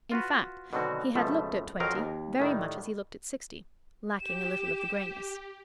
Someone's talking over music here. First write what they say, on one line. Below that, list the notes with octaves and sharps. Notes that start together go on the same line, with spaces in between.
In fact, he had looked at twenty very much as he looked at sixty, lacking a little of the grayness.
F4 F#4 B4
B2 D3 D#3 F#3 C4 F#4
C#2 B2 F3 A3 A5
F2 F#3 C4 A#4 D#5 F5
D#2
A2 D#3 G3
G4 E7